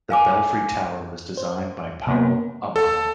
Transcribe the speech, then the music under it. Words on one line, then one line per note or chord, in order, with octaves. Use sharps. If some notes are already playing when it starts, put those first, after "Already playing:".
The belfry tower was designed by Paolo Amato.
F5 G#5 D6
C5
C3 A#3 B3
A4